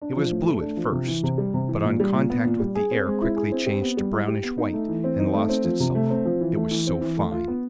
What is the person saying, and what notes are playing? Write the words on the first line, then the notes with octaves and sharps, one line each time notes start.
"It was blue at first but on contact with the air quickly changed to brownish-white and lost itself, it was so fine."
D4
F3
A2
A3
D4
F3
C3
E3
C3
G3
C3
E3
A#2
G3
A#2
B3
A#2
G3
G#4
C4
G#3
E4
G#4
C4
G4
B3
G3
E4
G4
B3
D#4
A3
E3
C4
D#4
A3
C4
F3
C3
A3
C4
F3
E3
A3
E3
C4
E3
A3
F4
B3